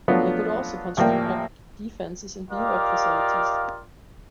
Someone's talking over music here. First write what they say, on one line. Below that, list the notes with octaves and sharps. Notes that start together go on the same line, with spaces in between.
They could also construct defenses and bivouac facilities.
F3 F#3 A3 B3 D4 F4
A1 F3 G3 A#3 D5 G5
F4 G4 A#4 D5 D#5 F5